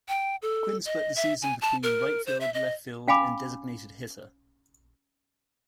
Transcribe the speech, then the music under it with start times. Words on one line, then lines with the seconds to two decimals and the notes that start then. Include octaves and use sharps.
Quinn split the season between right field, left field, and designated hitter.
0.08 G5
0.42 A4
0.86 D#5
1.16 E5
1.42 G#5
1.61 A5
1.83 A#4
2.26 C5
2.41 E5
2.54 D#5
3.08 C#4 F5 G#5 B5 D6